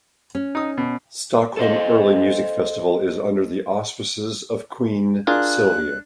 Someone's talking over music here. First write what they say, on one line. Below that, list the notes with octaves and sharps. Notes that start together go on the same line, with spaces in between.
Stockholm Early Music Festival is under the auspices of Queen Silvia.
C#4
D#4 D#6
B2
A4 C5 D#5
D4 F4 G#4 A#4 F#6